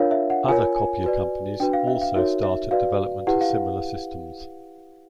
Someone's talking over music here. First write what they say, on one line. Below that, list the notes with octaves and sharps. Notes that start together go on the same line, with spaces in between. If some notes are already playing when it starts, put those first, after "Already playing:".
Other copier companies also started development of similar systems.
Already playing: D4 F4 A#4 C#5 F5
E5
F#5
F4 A#4 C#5 G#5
G#5
F#4 B4 D5
D4 F#4 B4 G5
F5
E5
F5
D#4 F#4 A#4 C#5 E5
E5
F#4 B4 D5 F5
E4 G4 B4 F#5
F5